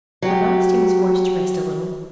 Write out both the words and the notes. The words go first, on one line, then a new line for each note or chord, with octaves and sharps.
At last he was forced to rest a little.
F#3 G4